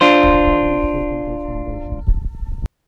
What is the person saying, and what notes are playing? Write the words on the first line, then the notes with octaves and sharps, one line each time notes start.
Society is shaken to its foundations.
D4 F4 C5